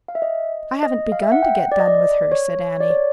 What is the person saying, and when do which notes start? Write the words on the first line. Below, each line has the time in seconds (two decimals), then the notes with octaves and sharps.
"I haven't begun to get done with her," said Annie.
0.08 F5
0.15 E5
0.22 D#5
0.83 D#5
1.12 F5
1.22 E5
1.32 F#5
1.42 G5
1.72 D5
1.80 D#5
1.88 D5
2.32 C#5
2.80 D5
2.90 C#5